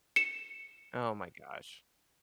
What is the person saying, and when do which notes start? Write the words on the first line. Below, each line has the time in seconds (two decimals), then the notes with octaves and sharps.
Oh my gosh.
0.16 C#7 E7